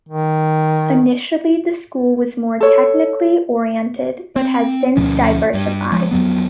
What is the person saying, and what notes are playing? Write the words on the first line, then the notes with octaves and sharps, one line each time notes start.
Initially the school was more technically oriented but has since diversified.
D#3
A4 C#5
C4
D2 B2 F3 C#4
G2
F3 G#3
F2 F#3 B3